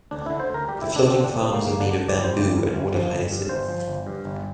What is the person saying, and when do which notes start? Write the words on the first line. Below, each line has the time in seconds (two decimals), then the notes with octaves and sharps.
The floating farms are made of bamboo and water hyacinth.
0.11 D2 D4
0.26 D3 E4
0.40 C5
0.49 D2
0.54 A#4
0.68 G3 G4
0.82 E4
0.87 D2
0.96 D4
1.05 D3
1.11 C4
1.24 D2 D4
1.38 G3 C4
1.52 A#3
1.62 D2
1.67 A#3
1.80 D3 D4
1.99 D2
2.08 D5
2.18 G3
2.24 C5
2.37 G1 D5
2.57 G2
2.74 G1
2.93 F3
3.12 G1
3.32 G2
3.49 G1 C5
3.68 F3
3.88 G1
4.07 G2
4.25 G1